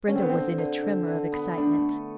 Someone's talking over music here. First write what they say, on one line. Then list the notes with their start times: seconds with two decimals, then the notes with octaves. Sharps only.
Brenda was in a tremor of excitement.
0.08 D3 C#4
0.16 C4
0.22 B3
0.30 D3 C4
0.58 D3
0.83 D3
1.07 D3
1.32 B3
1.57 A3 D4